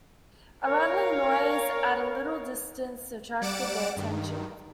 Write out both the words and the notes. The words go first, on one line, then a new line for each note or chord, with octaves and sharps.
A rattling noise at a little distance attracted their attention.
A#4 C#5 F5
G3 D5 F#5 D6 D7 E7
G2 D#3